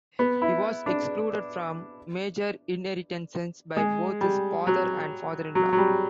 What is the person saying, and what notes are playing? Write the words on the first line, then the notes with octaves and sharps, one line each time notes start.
He was excluded from major inheritances by both his father and father-in-law.
B3
E4
D4
G#3
G3
F#3
F#3
F#3
G3